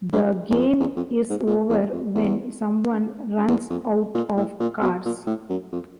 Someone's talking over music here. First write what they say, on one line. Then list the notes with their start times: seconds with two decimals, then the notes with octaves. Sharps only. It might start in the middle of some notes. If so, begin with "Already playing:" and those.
The game is over when someone runs out of cards.
0.13 G2
0.50 E2
0.58 F2
0.80 E2
0.97 F2
1.30 G#2
1.47 A#2
1.69 E2
1.92 F2
2.15 E2
3.49 E2
3.70 F2
4.15 A#2
4.37 A2
4.60 A#2
4.82 B2
5.05 A#2
5.27 A2
5.50 F#2
5.72 F2